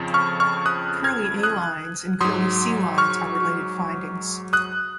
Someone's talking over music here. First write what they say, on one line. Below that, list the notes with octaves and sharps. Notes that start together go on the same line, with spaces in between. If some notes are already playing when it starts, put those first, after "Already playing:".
Kerley A lines and Kerley C lines are related findings.
Already playing: F2 C#3 F3
C#6 F6
C#6 F6
D#6 F#6
F6 G#6
D#6 F#6
G#2 F#3 C6 D#6
C#6 F6
D#6 F#6